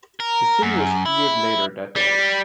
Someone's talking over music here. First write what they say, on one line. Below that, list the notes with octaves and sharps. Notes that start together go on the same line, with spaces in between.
The city was cleared later that day.
A#4
F#2
E4
G3